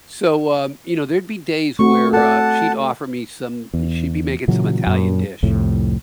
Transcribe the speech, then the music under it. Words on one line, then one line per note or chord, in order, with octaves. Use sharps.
so, um, you know, there'd be days where, uh, she'd offer me some i she'd be making some Italian dish,
A3 C4 F#4 C#6
A4 D5 F#5 A5
E2
A#2 C#3 E3 F#3
F#2 A#2
C2 F2 A2